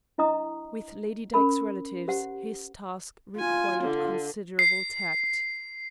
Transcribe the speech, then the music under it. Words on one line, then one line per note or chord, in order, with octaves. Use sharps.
With Lady Dyke's relatives his task required considerable tact.
D4 E4 D#5 A#5 D#6
C#4 A#4 B5
G4 C5 F#5
F4 G#5
D3
C7